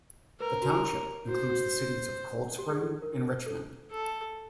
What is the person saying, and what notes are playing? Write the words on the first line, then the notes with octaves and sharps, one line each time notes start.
The township includes the cities of Cold Spring and Richmond.
A#4 B4
F#4
G4
F#4 C5
F#4
G4
G#4
A4
A#4
A4
A4